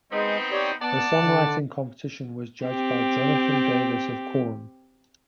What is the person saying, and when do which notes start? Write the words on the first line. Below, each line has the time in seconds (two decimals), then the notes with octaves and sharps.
A songwriting competition was judged by Jonathan Davis of Korn.
0.12 G#3 B3 C4 D#4
0.52 G4 C#5 D5
0.82 B3 D5 F#5 A5
1.20 D3
2.65 C4 G4